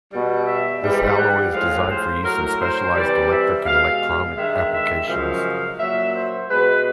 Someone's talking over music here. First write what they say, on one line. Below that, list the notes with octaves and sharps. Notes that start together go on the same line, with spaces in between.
This alloy is designed for use in specialized electric and electronic applications.
B2 G3
E5
G#2 E3 G3
F#5
A2 F3 G#3 F5
C5
A2 F#3 A#4
C5
C3 E3 G3 D5
E5
B2 G#3 F5
G2 D#3 G#3 E5
E5
F#2 C#3 F3 G#3 F5
A#2 F#3 E5
C5
B2 G#3 B4